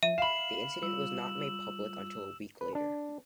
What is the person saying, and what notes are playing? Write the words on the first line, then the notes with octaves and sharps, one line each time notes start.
The incident was not made public until a week later.
F3 E5 D#7
F5 B5 C7 E7 F#7
G3 F4 E6
B4
D4